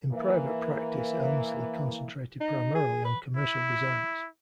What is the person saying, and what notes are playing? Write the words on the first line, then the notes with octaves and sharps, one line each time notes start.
In private practice Elmslie concentrated primarily on commercial designs.
E3 A#3
D#4
G#4
B4
E4